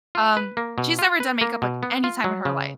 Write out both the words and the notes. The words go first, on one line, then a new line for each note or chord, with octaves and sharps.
um, she's never done makeup like any time in her life.
F4
B4
A#3
B2
F4
B4
A#3
B2
B3
F4
F#3
C#3